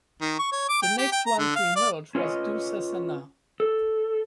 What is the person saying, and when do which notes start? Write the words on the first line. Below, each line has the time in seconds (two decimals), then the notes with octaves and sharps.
The next one to emerge was Dussasana.
0.21 D#3
0.39 C#6
0.52 C#5
0.69 D6
0.83 G5
0.98 G4
1.12 G5
1.26 A#5
1.39 D3
1.55 F5
1.76 D5
2.15 C#4 F4 B4 C#5 D#5
3.60 A4